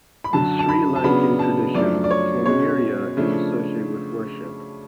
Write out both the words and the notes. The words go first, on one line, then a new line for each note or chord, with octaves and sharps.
In Sri Lankan tradition, plumeria is associated with worship.
B5
F#2 D3 F#3 A5
A5
B5
A5
C#3 F#3 B3 D4 B5
A5
F#2 F3 A3 D4 D5
D5
C#5
B2 G#3 C#4 C#5
C#3 F3 A3 D4